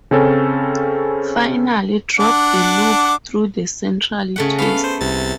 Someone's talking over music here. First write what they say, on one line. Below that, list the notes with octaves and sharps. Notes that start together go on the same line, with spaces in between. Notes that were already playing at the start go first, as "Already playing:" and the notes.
Finally drop the loop through the central twist.
C#3 C4 C#4 A4
D4 F#5 D6
C#3 A3 F#5
A3 B3 F5
C5
C2 C3 A6